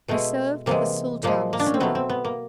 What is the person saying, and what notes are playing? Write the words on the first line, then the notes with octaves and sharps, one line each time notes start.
We served the Sultan of Sula.
B2 G#3 A3
C3 E3 G#3 A#3
A#2 F3 G#3 A#3
A#3
D4
C#4
C4
B2 F#3 A3 B3
C4
B3
A#3